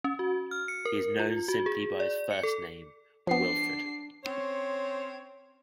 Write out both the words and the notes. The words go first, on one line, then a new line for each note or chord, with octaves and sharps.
He is known simply by his first name, Wilfred.
C#4
F#4
F6
C#7
A#4
F4
F#4
G#4
D5
C#7
A4
F3 B3 D4 C7
C4 C#4 C5 C#5